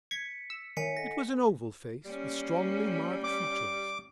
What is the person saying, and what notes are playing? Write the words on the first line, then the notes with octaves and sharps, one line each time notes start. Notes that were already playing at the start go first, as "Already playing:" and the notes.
It was an oval face with strongly marked features.
G#6 B6 C#7
E6
D#3 C#5 E5 G#5 B6 C#7
A4 D#5 F#5 A#6
G3 A#3 C#4
D6